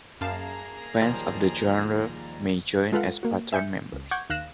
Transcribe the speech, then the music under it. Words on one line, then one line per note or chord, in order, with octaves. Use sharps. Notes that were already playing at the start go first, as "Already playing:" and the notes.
Fans of the genre may join as patron members.
F#2 A#3 G#4 F5 A5 A#5
D#2 F3 G3
G#3 F4 A4 B4 F5 F#5
A#3 F#4
E5 G#5 G6 C#7
C#2
F#5 C#6 D6 G6 G#6
D#2 F5 F#6 A#6 E7